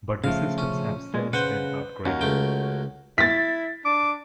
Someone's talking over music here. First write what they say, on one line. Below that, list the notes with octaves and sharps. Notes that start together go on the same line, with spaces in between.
But the systems have since been upgraded.
C#3 F3 A3 F5
C#4
A#2 G#3
C#3 B4 C5 F#5
D#2 C#4 F#4 A#4
C#2 A3 G5
E4 A6 B6
D4 D6